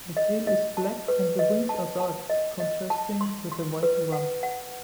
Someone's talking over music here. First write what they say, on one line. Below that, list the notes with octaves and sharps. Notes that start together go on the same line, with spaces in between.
The tail is black and the wings are dark contrasting with a white rump.
D#5
D#5
A5
B4
D#5
A5
A5
D#5
D#5
A5
C6
C6
B4
F#5
F#5